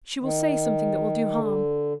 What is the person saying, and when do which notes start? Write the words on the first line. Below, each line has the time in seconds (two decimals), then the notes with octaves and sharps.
She will say something that will do harm.
0.22 D#3
1.35 D3